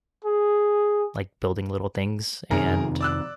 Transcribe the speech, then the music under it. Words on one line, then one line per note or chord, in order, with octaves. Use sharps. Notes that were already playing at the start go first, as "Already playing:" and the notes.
like, building little things, and
G#4
F2 C3 D#3 G#4 A#4 A#5
D5 E6 F#6